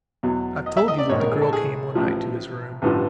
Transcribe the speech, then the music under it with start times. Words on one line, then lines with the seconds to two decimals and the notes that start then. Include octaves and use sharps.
I have told you that the girl came one night to his room.
0.23 E2 B2 F#3
0.66 D#5
0.77 E5
0.88 D#5
0.98 D5
1.09 A#1 G#2 D#3 C#5
1.20 A#4
1.31 G#4
1.42 A4
1.53 G#4
1.95 A1 A2 F3
2.82 A1 G2 D3 F3